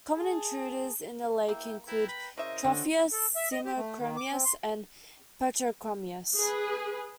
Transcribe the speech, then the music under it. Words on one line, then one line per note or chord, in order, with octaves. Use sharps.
Common intruders in the lake include "Tropheus", "Simochromis", and "Petrochromis".
G#4 A5
A#3 E4 E5 G5
E4 B4 G5 A#5
B5
C#3 E4 A#4 C5 D#5 E5
D3 C4 C#4 F#4
A4
E5
D#5
G4
A3
D#3
D6
C4
C6
G#4 B4